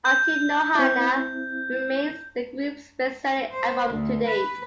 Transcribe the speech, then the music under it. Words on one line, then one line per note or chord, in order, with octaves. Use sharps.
"Aku no Hana" remains the group's best-selling album to date.
G6
C4 E4
C5
D2
B4